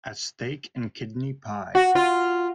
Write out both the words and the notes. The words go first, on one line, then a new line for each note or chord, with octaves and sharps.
A steak-and-kidney pie.
F#4
F4